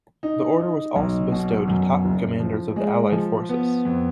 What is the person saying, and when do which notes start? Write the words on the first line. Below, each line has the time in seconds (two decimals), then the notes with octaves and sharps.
The order was also bestowed to top commanders of the Allied forces.
0.23 D#4
0.59 D#4
0.96 B1
1.32 B2
1.68 F#2
2.05 F#1
2.40 F3
2.76 G#3
3.12 F3
3.49 B3
3.85 F2